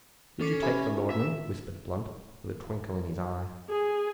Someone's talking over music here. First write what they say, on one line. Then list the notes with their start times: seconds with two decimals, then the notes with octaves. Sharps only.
"Did you take the laudanum?" whispered Blunt, with a twinkle in his eye.
0.41 C#4 A4 D6 C7
0.62 G4 C5 E5 G#5 B5
0.94 C#4 F4
1.10 E5
3.69 G#4